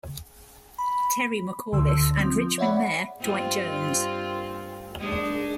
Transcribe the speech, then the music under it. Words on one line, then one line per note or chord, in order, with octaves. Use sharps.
Terry McAuliffe and Richmond Mayor Dwight Jones.
B5
D2 D3 C6 E6
F3 C4
C#5 D5 E5 F#5 B5
G2 C4 F4
G#3 D4 D#4